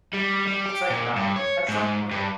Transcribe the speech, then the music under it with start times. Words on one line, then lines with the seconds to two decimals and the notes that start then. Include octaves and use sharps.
It's like, no, at some point
0.14 G3
0.48 G3
0.66 G4
0.90 A#2
1.16 G2
1.36 C#5
1.69 G#2
2.11 G2